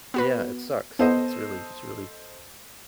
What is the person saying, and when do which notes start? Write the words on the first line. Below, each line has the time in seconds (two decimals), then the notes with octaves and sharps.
Yeah, it sucks. It's really it's really
0.14 B3 F#4 B4
0.99 B3 A4 C5 D#5